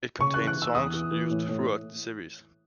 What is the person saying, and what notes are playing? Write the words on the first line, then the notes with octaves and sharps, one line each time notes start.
It contained songs used throughout the series.
C#3 C#6
F#6
E3
F#6
E3
E6
E2 D#6
E3
E3
A2
A2